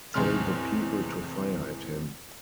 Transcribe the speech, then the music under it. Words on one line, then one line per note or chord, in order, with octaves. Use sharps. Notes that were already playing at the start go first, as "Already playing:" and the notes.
Tell the people to fire at him.
E2 A2 C3 G#3 C6 F6